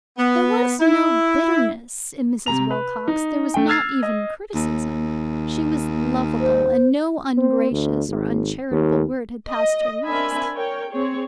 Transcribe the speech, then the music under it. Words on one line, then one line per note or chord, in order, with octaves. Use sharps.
There was no bitterness in Mrs. Wilcox; there was not even criticism; she was lovable, and no ungracious or uncharitable word had passed her lips.
B3
E4
C3 A#5 F7
B4
D#4
A3 G5
E6 F6 G#6 A6 C7
D#5
D#2
C5
C4
D2
G#1
D#2
D#5
C4 D4 A#4 E5 G#5 B5
A#4 C#5 G5
C4 G#4 C#5